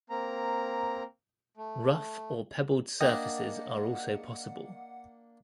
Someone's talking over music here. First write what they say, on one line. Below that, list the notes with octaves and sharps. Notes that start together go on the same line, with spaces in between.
Rough or pebbled surfaces are also possible.
A#3 C4 A#5
A3
A#3 D4 A#4 C5 D#5 F#5 G5